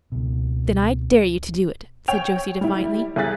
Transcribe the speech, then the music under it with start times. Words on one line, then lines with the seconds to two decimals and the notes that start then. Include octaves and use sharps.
"Then I dare you to do it," said Josie defiantly.
0.12 C#2 B2
2.08 C#5 G5 F7
2.61 G3 E4
3.16 C2 G#4 G#5 F#6 A6 B6